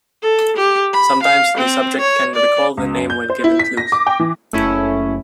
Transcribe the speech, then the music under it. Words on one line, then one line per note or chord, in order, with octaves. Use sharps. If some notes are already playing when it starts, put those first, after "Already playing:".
Sometimes the subject can recall the name when given clues.
A4
G4
B5
F5
C4
C#5
D5
C#2
F#2
G6
C5
E4
B6
A#6
D6
G5
E3
F#1 A3 C#4 E4